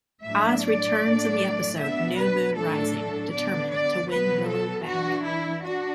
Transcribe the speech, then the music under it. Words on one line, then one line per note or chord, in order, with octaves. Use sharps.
Oz returns in the episode "New Moon Rising", determined to win Willow back.
A2 F#3 D4 E5
D5
A2 F#3 A3 D4
B2 B3 D4 E5
B4
A2 F#3 A3 D4 A4
D3 B3 D4 D5
D5
B2 F#3 B3 B4
A4
E3 D4 F#4
E4
D4 F#4